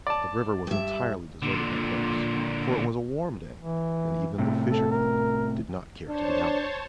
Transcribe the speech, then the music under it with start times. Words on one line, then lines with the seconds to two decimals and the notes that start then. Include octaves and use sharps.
The river was entirely deserted by boats, for it was a warm day and even the fisher folk did not care to be out.
0.07 D5 A5
0.67 G2 E5
1.42 A#2 D3
3.58 E3
4.38 A2 C3
4.71 A4
4.91 A#4
6.07 D4 C5 C#5 A5